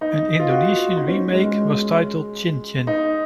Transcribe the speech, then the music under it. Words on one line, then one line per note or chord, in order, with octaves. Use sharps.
An Indonesian remake was titled "Cincin".
D#4
F4
F#4
F4
D#4
C#4
G#3
G#3
D#4